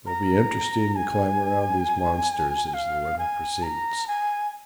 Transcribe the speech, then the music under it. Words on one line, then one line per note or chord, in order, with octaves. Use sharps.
It will be interesting to climb around these monsters as the winter proceeds.
A#5
G#5
F5
G#5
A#5
G#5